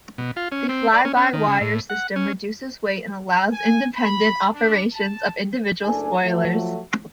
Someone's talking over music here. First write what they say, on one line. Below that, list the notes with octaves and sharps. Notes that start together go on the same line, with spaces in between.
The fly-by-wire system reduces weight and allows independent operation of individual spoilers.
B2
F4
C#4
C4
D5
C#4
C#4
D#3
C#3
A2
F#5
C#4
G#5
B5
D4
A5
F#1 A3 D4 G#5
F3 F#3 A3